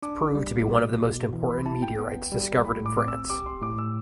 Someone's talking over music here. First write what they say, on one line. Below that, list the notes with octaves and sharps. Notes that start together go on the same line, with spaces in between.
It has proved to be one of the most important meteorites discovered in France.
D4 D6
G3
B2
B2
E3
B5
E4 A5
G5
B3
G3
A2 B5
D6
C4 D6
E6
G4 D6
C6
A2 D6
E6